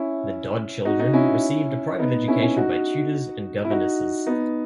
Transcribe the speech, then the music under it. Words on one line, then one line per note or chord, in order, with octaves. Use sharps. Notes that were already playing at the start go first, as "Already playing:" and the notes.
The Dod children received a private education by tutors and governesses.
Already playing: C#4 E4
D#4 F#4
D#4 F#4
C#4 E4
B3 D#4
C#4 E4
C#4 E4
D#4 F#4
E4
D#4 F#4
B3 D#4